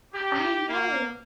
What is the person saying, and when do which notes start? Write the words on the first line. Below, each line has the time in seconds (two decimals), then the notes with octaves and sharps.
I know!
0.14 G4
0.67 A#3